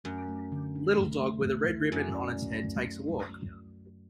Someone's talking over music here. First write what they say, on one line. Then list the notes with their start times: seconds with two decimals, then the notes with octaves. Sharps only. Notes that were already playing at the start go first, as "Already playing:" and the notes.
A little dog with a red ribbon on its head takes a walk.
0.04 F#2 A3
0.29 A3
0.52 D3
0.75 D4
0.98 A3
1.21 A3
1.45 A3
1.68 E4
1.91 F#2 F#4
2.15 D5
2.37 A3
2.62 A3